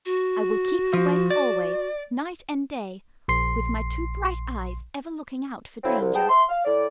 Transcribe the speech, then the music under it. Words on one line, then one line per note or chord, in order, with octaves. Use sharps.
I will keep awake always, night and day, with my two bright eyes ever looking out for danger.
F#4
F3
D5
A#1 C6 C7
D3 F3 F#3 C4 E4
C2
G#2 B3 G#4 G5 A5
E5 C6
F5
A2 D5